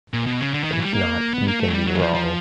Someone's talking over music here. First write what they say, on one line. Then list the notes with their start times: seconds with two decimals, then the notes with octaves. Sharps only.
If not, you can be wrong.
0.13 A#2
0.27 B2
0.40 C#3
0.54 D3
0.64 D#3
0.73 E3
0.80 F#3
0.84 G3
0.94 A#3
1.34 B3
1.48 A#3
1.61 A3
1.68 F#3
1.74 G3
1.87 F#3
1.95 E3
2.01 F3
2.15 F3